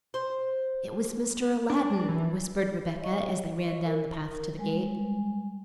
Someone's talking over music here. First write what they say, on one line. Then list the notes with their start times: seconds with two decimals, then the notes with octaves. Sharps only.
"It was Mr. Aladdin," whispered Rebecca, as they ran down the path to the gate.
0.14 C5
1.70 D4
2.09 E3
3.00 C#5 D#5 F5 C#6
3.85 A#4
4.57 G3 G#3 G#5